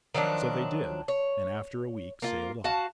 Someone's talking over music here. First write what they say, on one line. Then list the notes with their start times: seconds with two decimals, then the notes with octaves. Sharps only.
So they did, and after a week sailed off.
0.14 D#3 F3 F#3 D4
1.08 C#5
2.22 A#3 F4
2.64 F#4 F5 A5